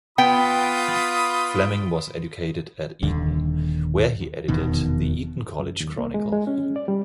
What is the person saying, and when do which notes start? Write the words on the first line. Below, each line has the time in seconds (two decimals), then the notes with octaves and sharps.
Fleming was educated at Eton, where he edited the "Eton College Chronicle".
0.18 B3 F4 G5 B5 D#6
3.03 D#1 D#2 D3
4.48 F1 E2 B2 D#3
5.59 F#2
5.80 D#2
5.98 A#3
6.14 G#3
6.32 G#3
6.47 C#4
6.76 D5
6.88 G3